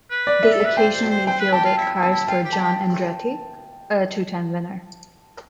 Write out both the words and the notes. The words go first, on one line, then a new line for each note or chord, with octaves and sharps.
They occasionally fielded cars for John Andretti, a two-time winner.
B4
D5
E5
A4
B4 E5
C5 G5
C5
C5
C5 G5
B4
G4 A5
F4
E4
E4
A5
E4
F4 G5
G4
A5
G4